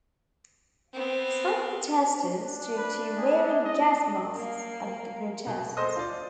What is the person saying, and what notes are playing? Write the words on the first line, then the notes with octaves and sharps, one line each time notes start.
Some protesters took to wearing gas masks at the protests.
B3 C4
D4
B4
G#4
D#5
A#3 F5
B2
A4 C5 D#5 C6 D#6
F4 D5